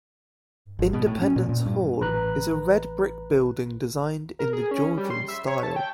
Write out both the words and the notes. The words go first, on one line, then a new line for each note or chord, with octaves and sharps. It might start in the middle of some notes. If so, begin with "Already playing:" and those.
Independence Hall is a red brick building designed in the Georgian style.
G#1
B2
A2
C#4
A#2
A#2
G2
A1 B4 A#5 F#6
A#4
G#4
C#4
G3
C6
E5
C#5
A5
G5